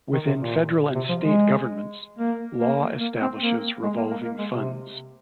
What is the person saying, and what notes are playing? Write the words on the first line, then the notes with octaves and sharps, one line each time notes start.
Within federal and state governments, law establishes revolving funds.
D#3
C3
A#2
C3
F3
G#3
A#3
A#3
A#3
C4
A#3
G#3
A#3
A#3
A#3
G#3
C3